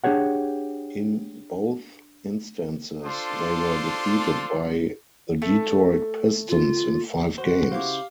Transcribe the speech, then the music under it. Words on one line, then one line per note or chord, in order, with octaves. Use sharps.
In both instances, they were defeated by the Detroit Pistons in five games.
D4 G4 G#4 C#5 F#5
D4 F4 A4 C5 C6 D6
A3
F4
F#4 C5
C#3 E4 G4 C5 F5 D6